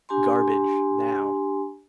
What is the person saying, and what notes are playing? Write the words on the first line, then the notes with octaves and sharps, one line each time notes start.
Garbage now."
D4 G4 G#5 A#5 C6